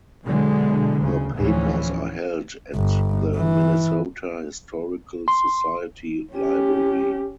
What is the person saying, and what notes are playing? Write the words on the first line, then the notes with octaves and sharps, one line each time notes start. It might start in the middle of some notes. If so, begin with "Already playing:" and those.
Her papers are held at the Minnesota Historical Society Library.
B2 D3 E3 F#3 G#3
D2 C#3
D2 A2 E3 F3 C#4
G1
E3
C6
C#4 G4